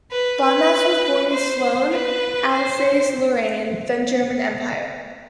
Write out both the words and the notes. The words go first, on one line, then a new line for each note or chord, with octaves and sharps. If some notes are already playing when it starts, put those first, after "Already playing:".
Bonatz was born in Solgne, Alsace-Lorraine, then German Empire.
B4
B4
C5
B4
C5